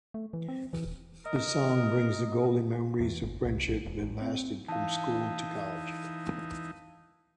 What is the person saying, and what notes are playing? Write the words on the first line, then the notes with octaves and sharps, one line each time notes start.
This song brings the golden memories of friendship that lasted from school to college.
A3
E3
C4
E3
D#1
A#4 D#5
E2
G1
C2
A#1
E1
A1
C4
E3 D#4 F5 A5